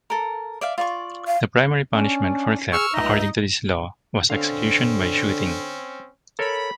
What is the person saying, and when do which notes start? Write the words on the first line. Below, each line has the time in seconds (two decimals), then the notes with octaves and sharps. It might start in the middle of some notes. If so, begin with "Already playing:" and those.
The primary punishment for theft according to this law was execution by shooting.
0.10 A4 A#4
0.61 D5 E5 F5
0.78 F4 D5 C#6
1.27 F5
1.94 C#4 D4
2.73 G#4 C#6 E6 F6
2.94 C#2 D#4 D#5 E5 A#5
4.30 D3 C4 C#4 F5
6.39 A4 A#4 C#5 B5